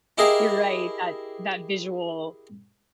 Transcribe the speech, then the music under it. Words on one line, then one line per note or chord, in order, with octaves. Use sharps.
You're right, that that visual
E4 G4 G#4 A#4 D#5 F5